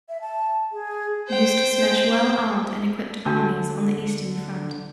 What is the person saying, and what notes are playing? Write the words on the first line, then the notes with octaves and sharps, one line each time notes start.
Used to smash well armed and equipped armies on the Eastern Front.
E5
A5
G#4
C5 G5
D3 D4 F#4 A5